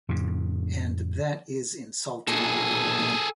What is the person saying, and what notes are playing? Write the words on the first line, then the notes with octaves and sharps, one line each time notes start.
And that is insulting.
F2 A2 C#3
B1 A#2 G#4 A4